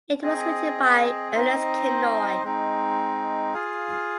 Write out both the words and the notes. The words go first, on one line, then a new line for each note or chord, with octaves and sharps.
It was written by Ernest Kinoy.
C4 G#4 D#5
C4 D#4 C5 D#5
G#3 C4 D#4
F4 G#4 F5